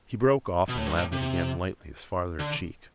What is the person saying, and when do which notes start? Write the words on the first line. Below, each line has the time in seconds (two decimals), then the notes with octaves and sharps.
He broke off and lathered again lightly his farther cheek.
0.69 B2
0.78 A2
0.87 G2
0.97 A2
1.12 C3
2.39 D3